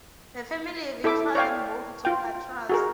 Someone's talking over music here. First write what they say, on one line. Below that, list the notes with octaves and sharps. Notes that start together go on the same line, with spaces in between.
The family eventually moved to Patras.
E4 A4 E5 D6
C#5 D5 F5 G5
F4 G5
F#4 G#4 A#4